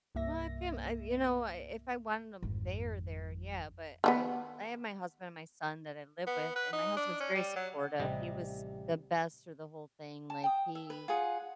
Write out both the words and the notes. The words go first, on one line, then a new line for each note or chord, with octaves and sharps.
Well, I have fam I've you know, I if I wanted 'em there, there, yeah, but I I have my husband and my son that I live with, and my husband's very supportive, he was the best through the whole thing, like, he
C2 G2 A#3 E5 A#6
G#1 F2
D#3 F3 B3
B3
B4
D#4
D4
C#4
G3
F#3
A1 C3 G3 D#5
A5
G5 D#6
E5
B4
F4 G#4 F#5